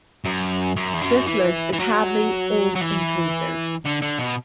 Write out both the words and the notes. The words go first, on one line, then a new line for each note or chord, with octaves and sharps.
This list is hardly all inclusive.
F#2
F#2
E2
F#2
E3
E3
F#3
F#3
E3
D3
D3
B2